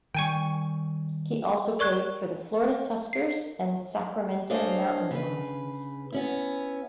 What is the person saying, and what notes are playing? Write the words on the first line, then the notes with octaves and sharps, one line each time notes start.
He also played for the Florida Tuskers and Sacramento Mountain Lions.
D#3 G3 G5 G#5 C#6
A#4 D5 C#6 F#6 G#6
C7
D4 C5 C#5 D#5 F5 G#5
C#3 B4
B3 C#4 E4